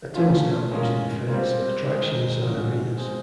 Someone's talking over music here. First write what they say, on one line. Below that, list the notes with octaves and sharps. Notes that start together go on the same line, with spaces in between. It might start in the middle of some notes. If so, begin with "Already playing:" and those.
A turnstile used in fairs, attractions, and arenas.
F3 A3 C#4 F4
G#3 C#4 F4 A#4
G3 C4 F4 A#4
D#3 G#3 C4 D#4
F3 G#3 C#4 F#4
B2 G#3 C4